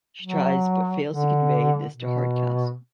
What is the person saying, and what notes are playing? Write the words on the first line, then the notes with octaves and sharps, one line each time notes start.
She tries but fails to convey this to Hardcastle.
F#3
D3
B2